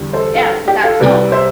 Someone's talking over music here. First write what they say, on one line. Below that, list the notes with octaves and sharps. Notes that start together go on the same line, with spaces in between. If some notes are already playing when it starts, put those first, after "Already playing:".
Yes, without salt.
Already playing: E2 D3 G3
A4 C5
F4 A4
G4
F4 A4
C2 C3 G3 B4 D5
C5 E5